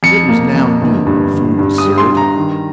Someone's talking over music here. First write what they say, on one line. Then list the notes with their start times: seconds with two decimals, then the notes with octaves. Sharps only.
It was now noon, and food was served.
0.03 F2 C#7
0.29 A#3
0.54 F2
0.81 G1
1.07 G2
1.33 G1
1.59 G2
1.78 D#6
1.85 G3
1.98 C6
2.11 G2
2.17 A#5
2.36 D#3